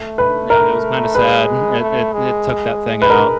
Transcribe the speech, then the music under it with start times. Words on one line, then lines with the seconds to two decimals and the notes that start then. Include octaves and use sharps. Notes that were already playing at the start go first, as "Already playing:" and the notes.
Yeah, it was kinda sad. It it it took that thing out.
Already playing: A3
0.18 B4
0.50 A#4
1.15 G#3 B4
1.80 A3
2.13 G#3
3.02 B4
3.10 A#4